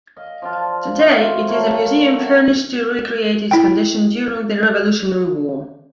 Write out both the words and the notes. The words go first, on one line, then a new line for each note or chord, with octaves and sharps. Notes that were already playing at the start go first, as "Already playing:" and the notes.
Today, it is a museum furnished to recreate its condition during the Revolutionary War.
D#5 F5
F3 D4 F4
E3 C4 F4 F#4
A3 A#3 C#5 F5
F#3 F#4 C#5 E5
E4 G5